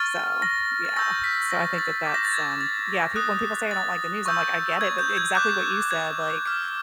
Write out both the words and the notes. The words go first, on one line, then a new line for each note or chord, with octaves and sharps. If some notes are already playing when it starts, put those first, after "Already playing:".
So, yeah. So, I think that that's, um, yeah, pe when people say, "I don't like the news," I'm like, "I get it," but exactly what you said, like,
Already playing: C#6 F6 A6
A#6
A6
C#6 E6 G6 A#6
B6
A#6
A6
D6 G6
A#6
A6
G#6
A6
D#6 F#6
A6
C#6 E6 G6
G#6
G6
G#6
D6 F#6 G6
G#6
D6 F6